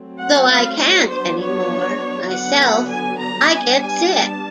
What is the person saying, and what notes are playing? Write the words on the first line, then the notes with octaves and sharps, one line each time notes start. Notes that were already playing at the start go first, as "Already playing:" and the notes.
Though I can't anymore myself, I get sick!
Already playing: F#3 A3 C4
F#5
F5
C#5
F#3 B3 D4 C5
C#5
D3 F#3 B3 F#5
G#5
A#5
G3 B3 D4 G#5
G#5
A5